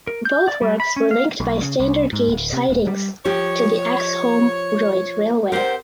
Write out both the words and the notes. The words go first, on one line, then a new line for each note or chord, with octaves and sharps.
Both works were linked by standard gauge sidings to the Axholme Joint Railway.
A#4
G6
D5
G3
B5
C#4
F5
B1
C#3
C2
G#2
D1
C3
D#1
G3
F3 G4 C#5
C4 G4 A#4 C5 F#5